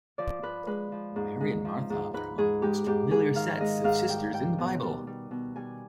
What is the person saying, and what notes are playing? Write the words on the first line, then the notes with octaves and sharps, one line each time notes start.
Mary and Martha are among the most familiar sets of sisters in the Bible.
F3 D5
F3 B4
G#3 B4
F3
G#2
G#3
F3
G#2
G#2 B4
G#2 G#4
G#3 G4
G#2 G4
G#2 G#4
D#3 F5
G#3 D#5
G#2 F5
G3 G5
G3 G5
B2
G3
G3
B2
G3 G#5